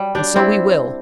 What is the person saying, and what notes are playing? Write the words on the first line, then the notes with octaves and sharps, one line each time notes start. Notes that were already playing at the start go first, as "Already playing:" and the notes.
And so we will!
Already playing: G3
D4 G4
C4 E4